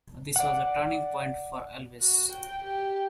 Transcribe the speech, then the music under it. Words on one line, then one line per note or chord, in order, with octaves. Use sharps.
This was a turning point for Elvis.
D5 F#5
F#4
G5
G4